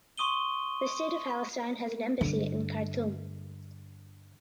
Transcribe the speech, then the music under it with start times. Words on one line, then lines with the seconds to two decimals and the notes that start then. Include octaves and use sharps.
The State of Palestine has an embassy in Khartoum.
0.18 C6 C#6 D#6 D#7 G7
2.21 G2 D3